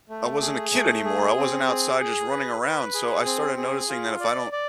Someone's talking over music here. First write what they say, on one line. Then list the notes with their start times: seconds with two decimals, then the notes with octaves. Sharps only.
I wasn't a kid anymore, I wasn't outside just running around, so I started noticing that if I don't
0.09 A3
0.41 G#4
0.73 A3
1.04 G#4
1.36 C4
1.68 G#4
1.99 G#4
2.30 B4
2.62 B4
2.94 G#4
3.25 C4
3.57 G#4
3.89 F4
4.20 D5
4.52 D5